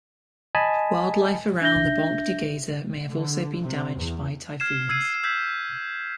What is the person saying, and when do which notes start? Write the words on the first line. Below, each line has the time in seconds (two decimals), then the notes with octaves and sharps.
Wildlife around the Banc du Geyser may also have been damaged by typhoons.
0.55 D#5 G#5 A5 B5
1.61 D4 E5 G6 A#6 G7
3.10 D3
3.62 C3
3.96 E2
4.60 F6 G#6 C7 E7
4.89 E6 G#6 C7 D#7
5.23 E6 G6 G#6 B6